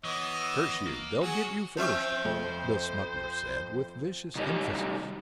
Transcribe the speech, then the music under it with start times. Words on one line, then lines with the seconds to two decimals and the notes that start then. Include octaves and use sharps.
"Curse you, they'll git you first!" the smuggler said, with vicious emphasis.
0.04 E3 B3 C#5 D#5
0.87 A#3
1.22 F#4 G#4 C#5 F#5
1.77 F3 C4 C5 E5
2.25 F2
4.36 C3 D#3 F#3 G3 G4 D#5